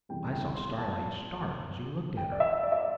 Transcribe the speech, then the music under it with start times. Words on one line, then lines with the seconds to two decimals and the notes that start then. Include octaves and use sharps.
I saw Starlight start as he looked at her.
0.09 E2 C3 E3 G3 G5
0.32 G5
0.55 C6
0.78 A5
2.17 G5
2.32 D5
2.40 E5
2.63 D5
2.72 E5
2.78 D5